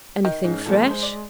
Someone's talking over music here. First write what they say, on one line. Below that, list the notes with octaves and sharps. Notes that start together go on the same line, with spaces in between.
Anything fresh?'
D#3
G#2 C#4
F2 A#2 G#3 A4
C5
D5